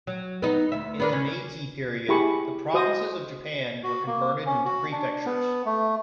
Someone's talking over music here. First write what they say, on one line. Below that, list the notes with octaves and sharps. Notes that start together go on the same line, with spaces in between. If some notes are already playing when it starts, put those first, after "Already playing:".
In the Meiji period, the provinces of Japan were converted into prefectures.
F#3
B3 D#4
D2 E5
B3 D4 A#4
C#4
E4 G4 G#4 B5 C#6
F#4 C5 D#5 D#6
F#4
A#3
C#4
F#4
D4
B3
A3